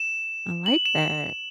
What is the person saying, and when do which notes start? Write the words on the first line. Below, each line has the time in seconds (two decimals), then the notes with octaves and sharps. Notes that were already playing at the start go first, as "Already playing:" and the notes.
I like that.
Already playing: E7
0.66 F#7
0.86 E7